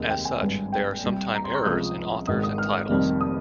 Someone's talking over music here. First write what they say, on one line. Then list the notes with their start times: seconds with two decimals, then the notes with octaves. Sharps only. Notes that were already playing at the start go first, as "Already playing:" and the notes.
As such, there are sometime errors in authors and titles.
Already playing: F1 D#2 D#3 G#3
0.10 G5
0.25 G#5
0.42 G#1 G2 G3
0.73 G5
1.04 C2 C3 G3
1.34 A#5
1.44 C6
1.55 C#6
1.65 C#2 C3 F3 G#3 D#6
2.27 G#1 G#2 D#3 G#3 D#6
2.43 D#6
2.58 F6
2.89 F1 F2 D#3 G3
3.21 D#6